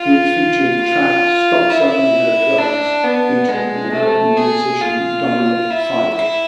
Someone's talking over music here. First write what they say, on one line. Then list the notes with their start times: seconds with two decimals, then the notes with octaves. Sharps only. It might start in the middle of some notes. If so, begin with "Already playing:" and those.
It featured the track "Stop Selling Her Drugs" featuring American musician Dominic Fike.
Already playing: F4
0.81 F4
1.70 E4
2.59 D4
3.04 B3
3.48 G#3
3.92 A3
4.37 G#4
4.81 F4
5.70 E4
6.14 E4